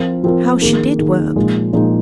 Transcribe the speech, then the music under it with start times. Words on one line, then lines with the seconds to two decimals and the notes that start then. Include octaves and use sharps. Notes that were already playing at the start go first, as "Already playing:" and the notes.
How she did work!
Already playing: F3 C4 F4 A#4
0.24 F3 C4 F4 A#4
0.61 D#3 A#3 G#4
0.99 D#3 A#3 G#4
1.36 A#2 F3 G#3 D#4
1.73 A#2 F3 G#3 D#4